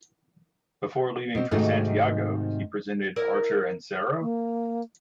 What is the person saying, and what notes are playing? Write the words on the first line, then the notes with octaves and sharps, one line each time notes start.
Before leaving for Santiago, he presented Acher en serio?
B2 C4
G#2 C3 D#3 A3 D#4 F#4
E4 A#4 D5
A#3